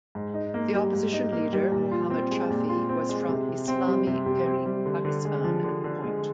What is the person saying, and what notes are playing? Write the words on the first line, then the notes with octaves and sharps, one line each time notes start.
The opposition leader Muhammad Shafi was from Islami Tehreek Pakistan at the point.
G#2
D#4
A#3
G3
G#2
D#4
A#3
G3
A#2
F4
C4
G#3
A#2
F4
C4
G#3
C3
C3
C4
G3
C3
C3
C4
G3
D3
D3
G#3
F3
D3
D3
G#3